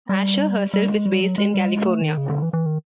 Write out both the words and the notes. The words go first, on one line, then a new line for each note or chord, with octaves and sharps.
Asher herself is based in California.
G3
G3
G#3
G3
F#3
G#3
G3
G#3
A3
D#3
C#3
D3
E3
E3
D#3